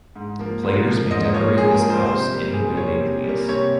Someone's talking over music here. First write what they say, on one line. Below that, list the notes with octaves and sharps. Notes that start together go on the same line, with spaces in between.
Players may decorate this house anyway they please.
G#2
F3 A#3
G#2
F3 A#3
G#2 D#5
F3 A#3 C#5
G#2 G#4
A#4
F3 A#3
C5
C3 C5
G3 A#3
C3 G#4
G3 A#3 C#5
C3
G3 A#3
C3 C#5